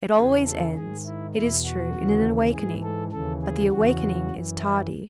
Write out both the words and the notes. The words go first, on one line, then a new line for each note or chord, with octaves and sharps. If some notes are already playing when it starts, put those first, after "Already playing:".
It always ends, it is true, in an awakening, but the awakening is tardy.
E2 C#3 E3 G#4
A4
G#2 D#3 G#4
E4
E2 B2 E4
F#4
D#2 C#3 E3
G#2 E3 G#4
A4
D#2 C#3 E3 A4
G#4
E2 C#3 E3 F#4
F#2 E3
E4